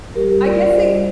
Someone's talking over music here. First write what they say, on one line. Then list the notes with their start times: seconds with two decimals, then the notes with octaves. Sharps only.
I guess it
0.15 G3 G4 A#4
0.30 G3
0.45 F4 A#4 D5
0.60 D4 D5
0.75 G3 C5 D#5
0.90 G3